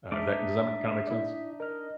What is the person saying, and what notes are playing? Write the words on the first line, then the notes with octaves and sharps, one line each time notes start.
Uh, if that does that ma kinda make sense?
G#3 D4 D#4 E5 D6
E4 D5
A#4 D#5 F6